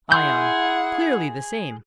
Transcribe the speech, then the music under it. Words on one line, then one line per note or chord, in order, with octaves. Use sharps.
ION: Clearly the same.
E4 G#4 F#5 C6 G6